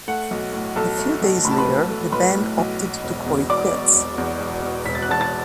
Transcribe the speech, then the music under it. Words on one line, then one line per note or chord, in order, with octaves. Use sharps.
A few days later, the band opted to call it quits.
A3 F#5
B1
A2
B1 A4 A5
A3
B1
A2 B5
A5
B4 B5
B1
A3
B1 B4 B5
A2
B1
B2
E1
E2
E1 D5 D6
B2
E1
E2
E1
B2
E1 B6
A6
F#6
E2 A5 A6
A5 A6